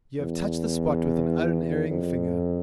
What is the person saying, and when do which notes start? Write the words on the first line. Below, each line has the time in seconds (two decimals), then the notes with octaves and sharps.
'You have touched the spot with an unerring finger.
0.20 E2
1.90 F2